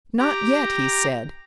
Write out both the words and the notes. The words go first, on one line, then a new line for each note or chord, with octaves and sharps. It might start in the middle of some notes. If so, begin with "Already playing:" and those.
"Not yet," he said.
G4 A#5